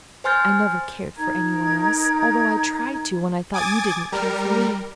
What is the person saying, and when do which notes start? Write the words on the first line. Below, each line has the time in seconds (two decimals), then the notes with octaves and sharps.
I never cared for anyone else--although I tried to, when I thought you didn't care for me.
0.24 C5 G#5 C6 F6 G6 A6
1.17 D#4 A#4 A#5 G#6
3.54 G#5 D6 D#6 G#6 A6
4.12 G3 A#4